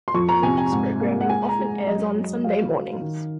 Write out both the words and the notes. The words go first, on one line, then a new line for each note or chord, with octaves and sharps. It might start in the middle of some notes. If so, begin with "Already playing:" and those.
Religious programming often airs on Sunday mornings.
C6
F2 C#6
A#5
C3 G#5
G#5
G#2
A#3
F#5
G#3 G#5
A#5
G#3
F#2 D#5
F#3
F#3 F5
F#3
D#3